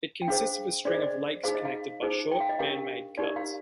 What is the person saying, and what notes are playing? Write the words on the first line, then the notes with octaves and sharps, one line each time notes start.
It consists of a string of lakes connected by short manmade cuts.
G5
D4 G#4 C5 F5
D4 G#4 C5 D5
D#5
D5
D#4 G#4 C5 F5
D#5
F5
D#4 G#4 C5
G5
F5
D#5
D4 G4 A#4 F5
D#4 G4 A#4 D5
F5